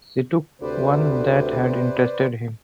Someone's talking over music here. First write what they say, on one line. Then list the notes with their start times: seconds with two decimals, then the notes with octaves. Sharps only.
She took one that had interested him.
0.62 D2 C3 B4 C5 D5